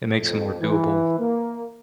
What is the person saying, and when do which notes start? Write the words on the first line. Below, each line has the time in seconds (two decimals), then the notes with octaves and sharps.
It makes it more doable.
0.19 F2
0.60 E3
1.19 A#3